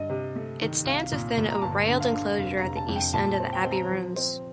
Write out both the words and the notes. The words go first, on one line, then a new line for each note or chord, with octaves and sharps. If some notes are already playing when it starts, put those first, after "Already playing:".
It stands within a railed enclosure at the east end of the abbey ruins.
Already playing: G2 D#5
C3
A3
D#3
C2 F5
A#2
A#2
A#5
G1 A5
D3
F5
D3
F1 F5
A#5
F1
A5
F2
G5
A#2 A5
A5
C4
G5
C4
A#5
F3
C4